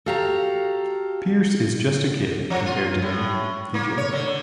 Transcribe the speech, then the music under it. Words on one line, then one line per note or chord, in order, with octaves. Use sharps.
"Pierce is just a kid compared to me", he joked.
F#4 G4 A4 F5 A#5
F3
F4
A2
A#3
C#5
D3